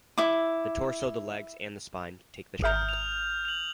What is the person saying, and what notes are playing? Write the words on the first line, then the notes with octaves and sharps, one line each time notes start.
The torso, the legs and the spine take the shock.
E4 D6
G#1 E5 A#5 D#6 F6 G6
F7
F7 F#7